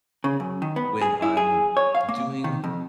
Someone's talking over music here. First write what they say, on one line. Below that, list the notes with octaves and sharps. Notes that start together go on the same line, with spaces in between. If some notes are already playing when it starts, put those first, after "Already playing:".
when I'm doing
C#3
F#2
D#3
B3
G#4
E4
G#4
C#5
F5
A#3
D#3
F2